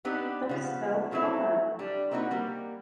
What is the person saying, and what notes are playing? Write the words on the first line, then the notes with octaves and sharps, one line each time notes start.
That's so odd.
B3 C4 D4 D#4 G4 B4
C#3 F3 B3
F3 F#3 A3 C4 E4
G3 D4
A#3 C4 D#4 F#4 B4
G3 A#3